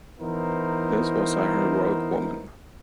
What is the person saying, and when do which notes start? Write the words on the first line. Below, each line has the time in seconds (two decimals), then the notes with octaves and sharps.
This was a heroic woman.
0.20 E3 B3 D#4 E4 A#4 C5